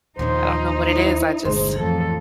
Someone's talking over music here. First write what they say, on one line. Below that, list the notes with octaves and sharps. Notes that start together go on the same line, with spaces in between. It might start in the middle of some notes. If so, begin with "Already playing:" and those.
I don't know what it is. I just
D#2 A#2 F3 C#4 D#4 C5
E4 C5
G1 A#2 D3 G#3 C5
F2 E3 A3 A4